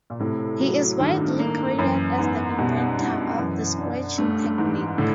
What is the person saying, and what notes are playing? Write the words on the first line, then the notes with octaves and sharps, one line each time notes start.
He is widely credited as the inventor of the scratching technique.
A#2
A2 C3
F#3
G2 D#3
A#3
F#2 E3
G#2 B3
B2 G3
G2 E4
F#2 E3
D4
G2 A3
G#2 E3
A2 D3